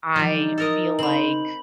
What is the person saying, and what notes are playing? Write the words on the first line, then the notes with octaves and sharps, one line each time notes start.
"I feel like
E3 F3 G3 D#4
A4 A#4 D#5
C#3 C4 B5 F#7